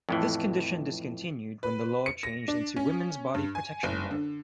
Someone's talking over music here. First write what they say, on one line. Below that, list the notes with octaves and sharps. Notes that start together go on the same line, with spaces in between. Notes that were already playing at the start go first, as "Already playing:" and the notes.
This condition discontinued when the law changed into Women's Body Protection Law.
F2 A2 E3
B4
C#7
A#6
D4
C#4
G2
G#5
F#1
D3